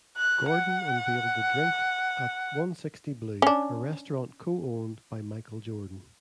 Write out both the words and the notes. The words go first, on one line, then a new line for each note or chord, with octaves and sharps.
Gordon unveiled the drink at One Sixty Blue, a restaurant co-owned by Michael Jordan.
F#6
F#5
C#4 D4